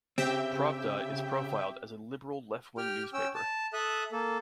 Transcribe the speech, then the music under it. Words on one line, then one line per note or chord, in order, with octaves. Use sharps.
Pravda is profiled as a liberal left-wing newspaper.
C#3 C4 G4 E5 G5
G4 G5 F6
C#4 G5 E6
A5
A4 E5 D#6 F#6
A#3 A4